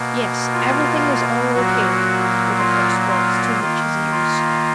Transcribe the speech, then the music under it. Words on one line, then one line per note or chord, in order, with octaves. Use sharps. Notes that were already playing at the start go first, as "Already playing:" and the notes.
"Yes, everything is all okay," were the first words to reach his ears.
Already playing: B2 A#3
F4
A#2 F#3 A#3 F#4
F4
F4
D#3 A#3
F4